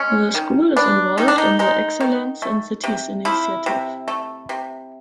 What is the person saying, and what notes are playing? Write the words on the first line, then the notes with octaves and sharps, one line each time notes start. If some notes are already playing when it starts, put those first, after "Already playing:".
The school is involved in the "Excellence in Cities" initiative.
Already playing: G#3 C#4
D#3
B3 D4
D#3 D#4
D4
D#4
G#3 D#4
D#3
A3
C3
F3 E4
C3
A3
C3